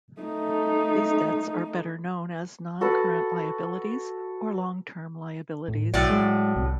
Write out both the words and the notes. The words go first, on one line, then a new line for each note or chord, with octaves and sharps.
These debts are better known as non-current liabilities or long-term liabilities.
A3 D#4
F#4 A4 B4 F#5
A2
B1 A2 F#3 D5
G#3
C2